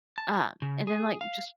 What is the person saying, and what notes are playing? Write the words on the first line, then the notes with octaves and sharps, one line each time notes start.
Uh, and then, like, just
A5
C#3
G#4
F5